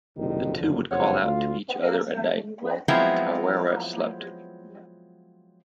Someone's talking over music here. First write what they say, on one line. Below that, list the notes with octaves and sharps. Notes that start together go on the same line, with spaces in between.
The two would call out to each other at night while Tarawera slept.
F#1 C2 F2 A#2 D#3
F#1 F2 G#2 D3
F#1 F2 C5 C#5 F#5
D2 A3 F4 F5
F3 F#3 G#3 B3 C4 E4